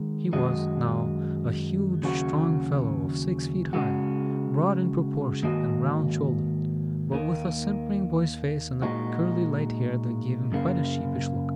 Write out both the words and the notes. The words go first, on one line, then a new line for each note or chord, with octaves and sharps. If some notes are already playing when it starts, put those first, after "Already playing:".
He was, now, a huge, strong fellow of six feet high, broad in proportion, and round-shouldered; but with a simpering boy's face and curly light hair that gave him quite a sheepish look.
Already playing: D#3 G#3
F#2 D#3 G#3 F#4 D#5
D#2 C#3 F#3 C#4 F#4
C#3 G#3 F#4
G#2 D#3 A#3 F#4 D#5
D#2 D#3 A#3
A#2 G#3 D#4 F#4
F#2 C#3 A#3